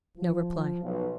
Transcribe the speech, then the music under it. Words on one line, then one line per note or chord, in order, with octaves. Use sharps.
No reply.
F3
B1